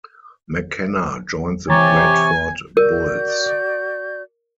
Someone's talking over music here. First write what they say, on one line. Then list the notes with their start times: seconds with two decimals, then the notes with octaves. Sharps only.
McKenna joined the Bradford Bulls.
1.70 C3 E3 G4 C#5 G#5 A#5 A6
2.77 F#4 A#4 D5 G6